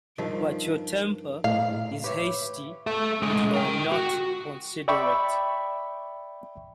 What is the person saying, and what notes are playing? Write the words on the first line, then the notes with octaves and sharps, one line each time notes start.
But your temper is hasty and you are not considerate.
G2 D#3 F3
A2 F5
G4 B4 C#5 E5
A4 E5
A2 G#3
A#4 G5
F#4
D5 E5 G5 B5 C#6